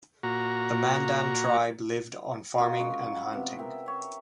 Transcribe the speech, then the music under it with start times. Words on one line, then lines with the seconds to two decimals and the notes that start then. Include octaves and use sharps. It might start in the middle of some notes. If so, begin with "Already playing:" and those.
The Mandan tribe lived on farming and hunting.
0.23 A#2 F#4 A#5
2.59 F4 F#4 A#4 D#5
2.79 G#3 C#4
3.16 B5
3.33 C3 B3
3.59 A#4 E5 G5
3.86 C#5 E5